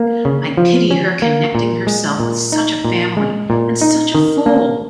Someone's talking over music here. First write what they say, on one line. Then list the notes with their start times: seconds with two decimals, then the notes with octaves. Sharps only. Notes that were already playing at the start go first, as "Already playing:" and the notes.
I pity her connecting herself with such a Family, and such a fool!
Already playing: A#3
0.25 C#3
0.57 F3
0.91 C#4
1.22 A#3
1.55 A#2
1.87 G#3
2.20 A#2
2.52 D#4
2.85 A#2
3.17 G#3
3.50 A#2
3.81 D#4
4.15 D#3
4.46 A#3